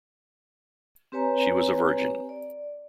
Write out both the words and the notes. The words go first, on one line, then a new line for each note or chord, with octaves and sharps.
She was a virgin.
C4 G4 B4 C#5 G#5 A#5
D5